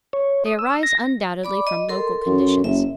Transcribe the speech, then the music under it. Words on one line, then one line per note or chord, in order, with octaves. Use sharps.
They arise undoubtedly from local conditions.
C#5
D#6
E6
A#6
D5 B5 D6
D#5
A4 A#4 C6
F#2
F#1 E5